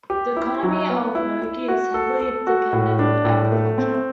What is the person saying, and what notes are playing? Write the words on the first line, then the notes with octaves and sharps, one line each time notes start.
The economy of Nogi is heavily dependent on agriculture.
G4
E4
F#3
B3
E4
E4
F#4
A4
A4
F#4
A2
D4
A2
A3
C4